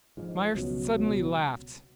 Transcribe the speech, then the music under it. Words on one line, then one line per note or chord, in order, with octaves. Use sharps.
Myerst suddenly laughed.
G#2 F3 G#3
C#2 B2 F#3
C#2 B2 F#3